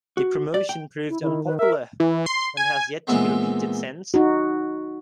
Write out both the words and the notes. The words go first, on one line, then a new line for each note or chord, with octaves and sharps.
The promotion proved unpopular, and has yet to be repeated since.
F#4
D5
G5
E4
D#3 E4
D#3 B4
A#4 E5
E3
C6
G#5
A#2 E3 G#3 B3 C4
D#4 F#4